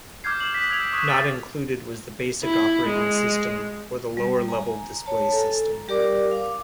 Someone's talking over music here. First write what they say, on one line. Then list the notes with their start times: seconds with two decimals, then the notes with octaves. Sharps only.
Not included was the basic operating system, or the lower-level display system.
0.24 D6 F6 G6 G#6 C7
0.40 E7 F#7
0.54 D#6 F#6 B6
0.70 E6 G#6 D7 F7
0.93 C#6 D#6 F#6 G#6 B6 E7
1.09 E6 A6
2.44 E4
2.86 G#3
4.17 G3
4.48 G#5 A#5
5.06 C#5 A5
5.32 A4 G#5 A#5
5.88 G3 G4 A#4 D5 D6
6.31 F5 D6